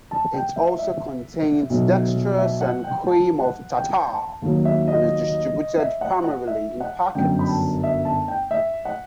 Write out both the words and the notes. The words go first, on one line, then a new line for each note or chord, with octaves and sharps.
It also contains dextrose and cream of tartar, and is distributed primarily in packets.
A5
G5
E5
E5
B1 B2 F#3
E5
F#5
G5
A5
F#5
G5
A5
D#2 D#3 F#3
E5
D#5
E5
F#5
F#5
E5
F#5
G1 F#2 F#3 G5
B5
A5
E5
A5
G5
E5
F#5